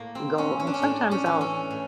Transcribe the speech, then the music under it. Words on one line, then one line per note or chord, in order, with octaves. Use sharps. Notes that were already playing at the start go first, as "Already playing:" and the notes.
go, and sometimes I'll
Already playing: A2 A#3
C4
E3 C#4
C#4
D4
C#4
A2 D4
C#4
E3
C#4
A2